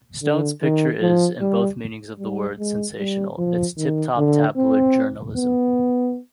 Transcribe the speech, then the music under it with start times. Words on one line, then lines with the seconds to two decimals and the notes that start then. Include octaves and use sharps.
Stone's picture is, in both meanings of the word, sensational: it's tip-top tabloid journalism.
0.23 D3
0.62 D#3
1.01 F3
1.41 G3
2.19 G3
2.59 G#3
2.98 G3
3.38 F3
3.77 D#3
4.17 D3
4.56 C4
5.36 B3